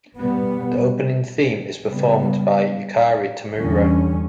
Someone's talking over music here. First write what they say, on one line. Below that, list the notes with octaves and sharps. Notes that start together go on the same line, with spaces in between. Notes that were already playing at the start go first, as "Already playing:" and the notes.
The opening theme is performed by Yukari Tamura.
B2 G3 B3
C#3 G3 B3
E2 D3 G3 C#4